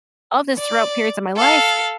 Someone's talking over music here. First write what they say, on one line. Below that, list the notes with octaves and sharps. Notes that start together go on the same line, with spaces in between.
of this throughout periods of my life
D5
A4 F5